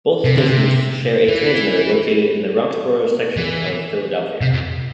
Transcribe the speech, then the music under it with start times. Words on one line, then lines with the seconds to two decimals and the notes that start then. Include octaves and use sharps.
Both stations share a transmitter located in the Roxborough section of Philadelphia.
0.25 C3
0.36 D3
0.48 C3
1.29 E3
3.37 E3
4.41 C3
4.53 F2